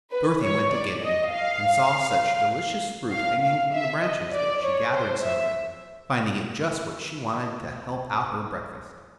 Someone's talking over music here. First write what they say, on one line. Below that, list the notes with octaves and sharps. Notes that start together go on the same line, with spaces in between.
Dorothy went to get him, and saw such delicious fruit hanging from the branches that she gathered some of it, finding it just what she wanted to help out her breakfast.
B4
C#5
D5
D#5
F5
F5
F5
E5
D#5
D5
C#5
C5
E5